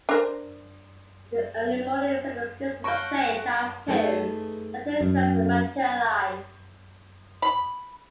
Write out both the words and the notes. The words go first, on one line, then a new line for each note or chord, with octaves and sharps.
In the early morning, circumstances changed as two latent threats materialized.
D4 A#4 C5
C#5 F5 F#5 A5 C#6 G6 A#6 D7
A3 D#4 G#4 B4
F#2
B5